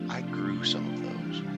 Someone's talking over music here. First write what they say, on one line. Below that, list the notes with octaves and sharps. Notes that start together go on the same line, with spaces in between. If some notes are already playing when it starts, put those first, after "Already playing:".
I grew some of those.
Already playing: C3 F3 A3 D4 F4
C6
G5
C3 E3 G3 D4 F5